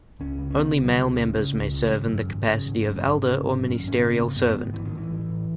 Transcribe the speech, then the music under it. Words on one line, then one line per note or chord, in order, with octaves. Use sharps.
Only male members may serve in the capacity of elder or ministerial servant.
C#2 C#4
C#3
C#4
C#3 B3
C#2
F#3
C#2 G#3
C#3
C#3
C#2
C#3
G#1
F#2
G#1
C#3
G#1
F#2
G#1
C#3
G#1
F#2
G#1
C#4
C#3 B3
G#1
F#2 B3
G#1
A1 E3
D#3
A2
E3
A2
A1